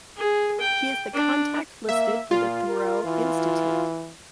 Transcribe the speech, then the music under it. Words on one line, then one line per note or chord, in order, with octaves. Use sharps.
He is the contact listed for the Thoreau Institute.
G#4
G5
D4
A#3 E5
A#2 F4
A#4
E3